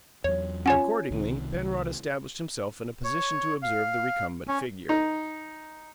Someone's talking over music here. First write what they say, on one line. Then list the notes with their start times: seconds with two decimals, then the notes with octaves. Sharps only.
Accordingly, Penrod established himself in a position to observe the recumbent figure.
0.24 E2 F#3 C#5
0.66 C#4 F4 C#5 F#5 G#5
1.11 C2 C3 D#3
3.04 C#5
3.62 F5
4.48 C#4
4.89 D#4